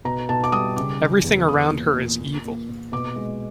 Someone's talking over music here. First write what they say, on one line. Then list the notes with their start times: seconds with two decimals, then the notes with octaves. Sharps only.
Everything around her is evil.
0.05 B2 A#5
0.29 B2 A5
0.44 D6
0.52 G3 D#6
0.76 C#3 D6
1.01 C#3
1.24 E2
1.48 B3 D#6
1.72 A#2
1.96 A#2
2.21 A#2
2.45 A#2
2.69 A#2
2.92 B2 D6
3.16 G#3